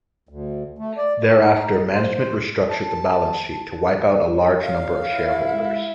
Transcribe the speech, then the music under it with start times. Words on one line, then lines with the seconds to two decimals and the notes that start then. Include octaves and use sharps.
Thereafter management restructured the balance sheet to wipe out a large number of shareholders.
0.29 D2
0.79 A3
0.97 D5
1.20 A3
1.43 D#4
1.94 C5
2.69 A5
4.32 C#5
4.63 F5
5.13 E4
5.52 G#3